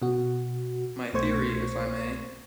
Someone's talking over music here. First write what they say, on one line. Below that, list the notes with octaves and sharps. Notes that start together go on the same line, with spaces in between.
My theory, if I may...?
B2 F#4
C2 B2 A3 C5 C#6 G#6